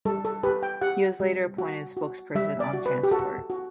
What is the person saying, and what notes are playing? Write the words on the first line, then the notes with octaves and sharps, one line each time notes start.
He was later appointed spokesperson on Transport.
G3 A4
A4
G4 B4
G5
G4 F#5
G3
F#4
F#4
G3 E5
D5
F#4
B4
G4
F#4 A4
F#4